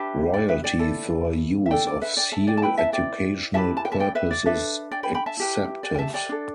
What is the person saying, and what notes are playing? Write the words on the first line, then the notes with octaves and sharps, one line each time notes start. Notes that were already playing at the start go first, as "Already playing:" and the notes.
Royalty for use of seal-Educational purposes excepted.
Already playing: D4 G4 B4 E5 A5
D5 G5
B4 E5
D5 G5
E4 A4
E5
D4 A4 D5 G5
D5
B4 E5
D5 G5
E5 A5
D5 G5
A5
E4 B4 G5 B5
E5 A5
D5 G5
E4 G4 B4 E5 A5
A5
G5
E5 A5
D5 G5
B4 E5
D5
D4 A4 B4 E5
D5 G5
G5 B5
G5 B5
E5 A5
E4 G4 B4
D5 G5
G5
E5 A5
D5 G5
D4 A4